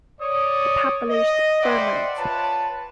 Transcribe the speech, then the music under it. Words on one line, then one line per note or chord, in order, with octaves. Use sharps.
It published "Ferment".
C#5 D5 D#6
D#5
B4 C5 D5 E5 F#5 G5
F4 B4 C#5 A5